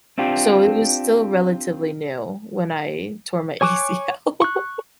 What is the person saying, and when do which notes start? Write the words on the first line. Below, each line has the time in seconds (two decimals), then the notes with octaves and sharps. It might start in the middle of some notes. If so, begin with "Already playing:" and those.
so it was still relatively new when I tore my ACL.
0.18 C4 D4 F4 G4
3.61 C#5 G#5 C#6 D6 F#6
4.42 C#6 F#6